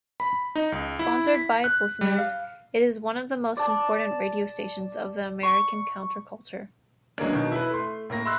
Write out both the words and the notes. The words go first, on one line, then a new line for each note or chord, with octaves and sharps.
Sponsored by its listeners, it is one of the most important radio stations of the American counter-culture.
B5
D#4
C#2
E4
B6
F#6
G3
F5
D5 A5
C#6
E3 F#3 G#3 A#3 C#4 D4
B2 D#3
E4 B4
A3 C6
A2 A#3 A#6
E5 B5 C6 E6 F#6